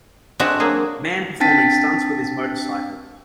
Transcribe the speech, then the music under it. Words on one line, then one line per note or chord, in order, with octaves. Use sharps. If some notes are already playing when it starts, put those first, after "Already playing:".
Man performing stunts with his motorcycle.
G#3 C4 D4 F#4 B4 E5
F#3 A#3 G#4
C4 D4 G5 A5 A6 B6